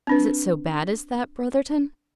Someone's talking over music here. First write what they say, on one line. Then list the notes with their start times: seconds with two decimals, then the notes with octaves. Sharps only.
"Is it so bad as that, Brotherton?"
0.07 C4 D4 B4